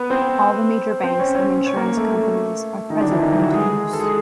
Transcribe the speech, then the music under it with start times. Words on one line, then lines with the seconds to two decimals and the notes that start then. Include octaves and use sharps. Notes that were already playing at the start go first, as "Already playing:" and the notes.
All the major banks and insurance companies are present in Toulouse.
Already playing: B3 B4
0.10 C4 C5
1.03 C4 C5
1.19 C#4 C#5
1.35 C#4 C#5
1.66 C#4 C#5
1.76 A#3 A#4
1.97 A3 A4
2.90 D#3 D#4
3.01 D3 D4
3.11 E3 E4
3.21 D#3 D#4
3.32 E3 E4
3.42 F#3 F#4
3.52 G#3 G#4
3.93 A4
4.00 G#3 G#4